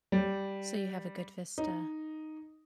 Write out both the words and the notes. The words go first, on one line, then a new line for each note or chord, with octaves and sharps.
So you have a good vista.
G3
D#4